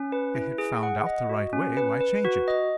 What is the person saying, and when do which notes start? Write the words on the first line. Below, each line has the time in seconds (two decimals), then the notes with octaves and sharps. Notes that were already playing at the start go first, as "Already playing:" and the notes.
"If they had found out the right way, why change it?"
Already playing: C#4
0.12 B4
0.35 E4
0.58 G#4
0.83 F#5
1.06 D#5
1.29 F#4
1.53 C#4
1.77 B4
2.01 B4
2.25 F#4
2.48 D#5